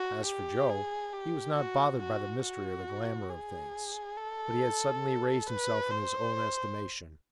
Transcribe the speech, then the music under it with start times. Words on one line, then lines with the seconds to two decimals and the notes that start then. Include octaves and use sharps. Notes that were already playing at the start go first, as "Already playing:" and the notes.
As for Joe, he was not bothered by the mystery or the glamour of things. But he had suddenly raised himself in his own estimation.
Already playing: F#4
0.26 G4
0.70 G#4
1.12 G4
1.56 F#4
2.00 F#4
2.43 F#4
3.30 G#4
4.16 A4
5.47 B4
5.91 C5